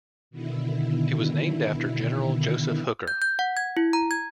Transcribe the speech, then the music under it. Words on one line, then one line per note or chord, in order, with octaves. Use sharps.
It was named after General Joseph Hooker.
B2 D3 D#3 E4
G6
G6
F#5
G#6
E4
A#5
G#6